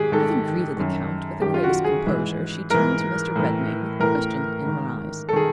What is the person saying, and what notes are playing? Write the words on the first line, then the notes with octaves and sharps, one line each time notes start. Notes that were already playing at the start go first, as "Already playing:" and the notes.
Having greeted the Count with the greatest composure, she turned to Mr. Redmain with question in her eyes.
Already playing: G#2 D#3 G4 G#4
G#2 D#3 A4
F#2 D#3
F#2 D#3 G4
F4
F#4
G#4
G#2 E3
G#2 E3 A#4
A2 E3
A2 E3 A#4
G#2 D#3
A4
D#3 G#4